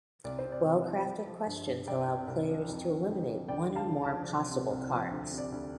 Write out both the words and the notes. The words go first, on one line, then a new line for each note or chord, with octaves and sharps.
Well-crafted questions allow players to eliminate one or more possible cards.
C2 D5
C5
C3
D5
C2
F3
F3
F3
G2
G2
C2 D5 G5
C3
C2
F3
F2
D3
F2
F3
D2 D5 G5
D3
F5 A5
D2
F5 A5
F3
C2
C3
C2
F3
D2
C3
D5
D2